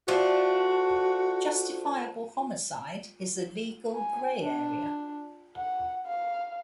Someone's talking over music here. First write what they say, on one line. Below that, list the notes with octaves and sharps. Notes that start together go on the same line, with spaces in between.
Justifiable homicide is a legal, gray area.
F3 A3 D4 F#4
G#5
D4
F#5
F5